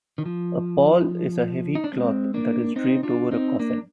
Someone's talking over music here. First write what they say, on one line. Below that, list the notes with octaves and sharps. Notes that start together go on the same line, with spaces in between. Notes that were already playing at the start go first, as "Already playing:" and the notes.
A "pall" is a heavy cloth that is draped over a coffin.
D#3
F3
D#4
D4
G#3 C4
A#3 D4
C4 D#4
D4 F4
C4 D#4
A#3 D4